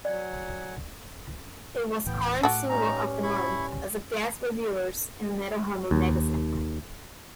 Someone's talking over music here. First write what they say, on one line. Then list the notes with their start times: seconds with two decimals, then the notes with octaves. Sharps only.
It was Korn's "Single of The Month" as guest reviewers in Metal Hammer magazine.
0.05 F#3 D5 F#5 G#5
2.06 D1 A2 E3 B3 G5
2.43 A2 F#3 F#4 A4 F#5 D6
2.69 G2 C#4 D#4 A#5
3.23 E4 B5 C#6
5.91 D#2